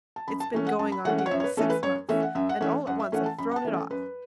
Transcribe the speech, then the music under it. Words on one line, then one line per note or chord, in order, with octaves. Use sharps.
It's been going on nearly six months, and all at once I've thrown it off.
A5
F#2 B5
A5
E3 A3 C#4
F#5
F#2 A5
B5
E3 A3 C#4 F#5
F#5
C#5
F#2 E5
C#5
B4
E3 A3 C#4 A4
B4
F#2 C#5
E3 A3 C#4 E5
F#5
F#2 E5
F#5
E3 A3 C#4 E5
F#2 F#5
E5
E3 A3 C#4 F#5
A5
F#2 B5
F#5
A5
E3 A3 C#4
A4
F#2 B4